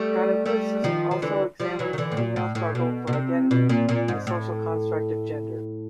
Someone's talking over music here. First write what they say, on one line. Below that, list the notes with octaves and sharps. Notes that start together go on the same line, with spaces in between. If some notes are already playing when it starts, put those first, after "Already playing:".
Gynocriticism also examines the female struggle for identity and the social construct of gender.
Already playing: G3 A3
G3 A3
D#3 F3
F3
D3 E3
F3 G3
E3 F#3
D#3
D3 E3
A2
A#2
A2
A2
B2
B2
C3
B2
A#2
A#2
G#2
A2